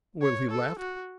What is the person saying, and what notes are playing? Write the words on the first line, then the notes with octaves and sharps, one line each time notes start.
Will he laugh?
C#5
A4
F#4